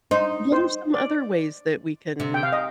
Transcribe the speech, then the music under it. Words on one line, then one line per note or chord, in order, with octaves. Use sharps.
What are some other ways that we can
D#4 C5
C5
D5
C3
G5
F5
D#5